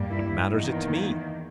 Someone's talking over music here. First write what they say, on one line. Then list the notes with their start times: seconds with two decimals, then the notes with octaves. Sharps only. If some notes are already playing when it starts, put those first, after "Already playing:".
What matters it to me?
Already playing: G2 G3 A#3
0.11 E4
0.53 E2 D#3 A#3 D#4